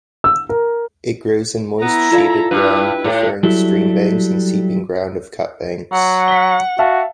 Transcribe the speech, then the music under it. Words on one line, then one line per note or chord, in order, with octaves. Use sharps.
It grows in moist shaded ground, preferring stream banks and seeping ground of cut-banks.
E6
A#4
B3 E4 A#5
F4 A4 D5 F5
G2 E4 B4
A2
F#3 G3 E4 A4
F#3 F#5
B6 G7
F#4 E5 F5 A5